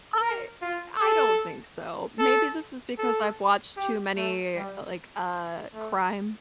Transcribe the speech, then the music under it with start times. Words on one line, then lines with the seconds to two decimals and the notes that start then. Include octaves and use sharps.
I I don't think so, maybe this is because I've watched too many, eh like, uh, crime
0.22 A#4
0.62 F4
1.01 A4
2.19 A4
2.98 A4
3.77 G4
4.16 A3
4.56 G3
5.74 A3